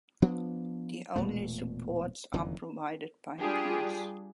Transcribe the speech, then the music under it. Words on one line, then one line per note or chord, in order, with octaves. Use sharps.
The only supports are provided by piers.
F3 B3 D4
E1 A#2 A3 B3
F#1 F2 D#3 E3
G3 D4 F4 G4 G#4